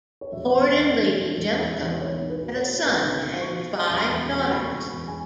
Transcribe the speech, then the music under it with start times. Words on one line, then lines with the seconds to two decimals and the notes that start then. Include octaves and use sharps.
Lord and Lady Jellicoe had a son and five daughters.
0.21 C#5
0.32 E1 E5
0.53 E1
0.74 E2
0.96 E3
1.16 E1
1.37 E1
1.59 E2
1.79 E3
2.01 B1 C#5
2.21 B1
2.29 B4
2.42 B2
2.56 C#5
2.64 F#3
2.84 B1 B4
3.05 B1
3.26 B2
3.41 C#6
3.47 F#3
3.68 F#3
3.89 E1
4.10 E2
4.31 B2
4.51 F#3 B5
4.59 C#6
4.67 B5
4.73 E1
4.80 C#6
4.94 E2
5.08 G#5